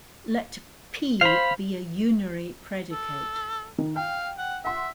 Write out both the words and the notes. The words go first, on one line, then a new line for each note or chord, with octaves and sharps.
Let "p" be a unary predicate.
C5 F5 B5 F7
A4
D#3
F5 G5
F#5
E5 F#5 C6